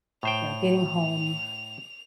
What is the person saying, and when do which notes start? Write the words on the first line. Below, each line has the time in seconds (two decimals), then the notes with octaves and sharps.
you know, getting home,
0.23 A2 C5 G5 F7